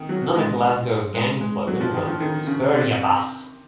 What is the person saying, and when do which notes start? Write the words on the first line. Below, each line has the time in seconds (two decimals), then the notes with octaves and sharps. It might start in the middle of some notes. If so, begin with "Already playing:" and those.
Another Glasgow gang slogan was "Spur ya Bass".
Already playing: D#3
0.09 F#3
0.35 G#3
1.14 G#3
1.41 G#3
1.67 F#3
1.80 F3
1.94 D#3
2.07 F3
2.20 D#3
2.47 C#3
2.73 C3